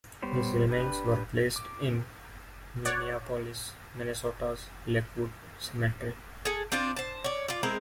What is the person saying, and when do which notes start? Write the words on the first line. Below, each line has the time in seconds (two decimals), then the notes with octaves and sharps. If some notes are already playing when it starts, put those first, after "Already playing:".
His remains were placed in Minneapolis, Minnesota's Lakewood Cemetery.
0.22 G3 B3 G4 C5 C#5
0.69 D4 G4 B4
1.56 D6
2.85 C#5 D5 F#5
6.45 G#4 A4
6.72 C4 D4 F4 D5
6.96 C5 A5
7.24 C#5 D5
7.48 F4 D5
7.63 G#3 C4 E4 A#4